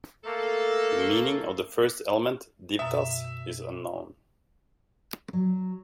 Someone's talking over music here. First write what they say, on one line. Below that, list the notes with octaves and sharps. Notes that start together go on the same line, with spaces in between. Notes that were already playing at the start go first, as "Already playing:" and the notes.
The meaning of the first element "divtas" is unknown.
A3 A#3 A4
F#2 B2 E5
F#3